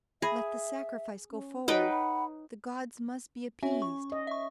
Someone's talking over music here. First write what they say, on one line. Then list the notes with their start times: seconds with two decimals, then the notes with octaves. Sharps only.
Let the sacrifice go forward; the gods must be appeased.
0.22 G#4 E5 B5 A#6
1.31 C#4
1.68 D#4 F#4 B4 C#5 D#5 F#5 G5
1.90 B5
3.63 C#4 F#4 E5 G#5
3.82 C#6
4.12 D#5
4.27 E5 C#6